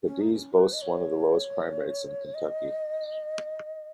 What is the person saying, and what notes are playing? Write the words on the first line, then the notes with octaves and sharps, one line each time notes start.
Cadiz boasts one of the lowest crime rates in Kentucky.
C#4
D#4
C#4
A#4
B4
D#5
C#5
D#5